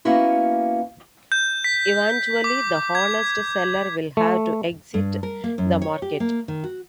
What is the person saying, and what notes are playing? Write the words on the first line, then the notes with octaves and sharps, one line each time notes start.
Eventually, the honest seller will have to exit the market.
A#3 B3 C#4 E4 F#4
G6
B6
D6
G#6
A3
G2
A#4
A#3
F#2
C#5
G4
A#3
D#3
F#4